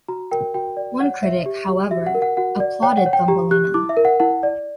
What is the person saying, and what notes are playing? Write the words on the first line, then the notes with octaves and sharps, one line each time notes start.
One critic, however, applauded "Thumbelina".
F#4 A#5
A#4 G5
F#4 G5
D5
C#5 F#5
C#5 E5
G4
G4
F#4 E5
F#5
A#4
F#5
F#4 F#5
D5
C#5 G5
F#5
C#5
G5
G4 A#5
G4 F#6
E4 D6
E5
A#4
F#5
E4 F#5
D5